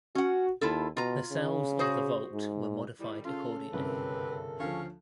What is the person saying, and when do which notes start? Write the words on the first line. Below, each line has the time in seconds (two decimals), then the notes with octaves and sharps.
The cells of the vault were modified accordingly.
0.15 C#4 F#4 F#5
0.61 D#2 E4 F4 A4
0.97 B2 F4 A#5
1.32 C#3
1.79 F#4 G#4 C5
2.33 G#2
2.99 G#2 D#3 G3 E4
3.25 C#3 C#4 F4 A4 C6
3.73 G1 C2 F#2 C4 G4 A#4 B4
4.60 D2 F3 C#4 C#5 F5